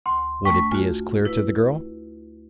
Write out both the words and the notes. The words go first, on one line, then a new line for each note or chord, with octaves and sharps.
Would it be as clear to the girl?
D2 C6
A3 D4 G5 C#6 B6
F4 F#4 G#5
E4 B4